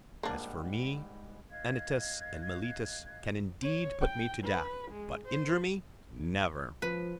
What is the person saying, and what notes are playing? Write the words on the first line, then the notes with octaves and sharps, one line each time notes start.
As for me, Anytus and Meletus can indeed put me to death, but injure me, never!
G#2 G3 A#3 D4 F#5
D#5 F5 F#6 G#6
C#5
G5
B4
G#3
C5
F3 B4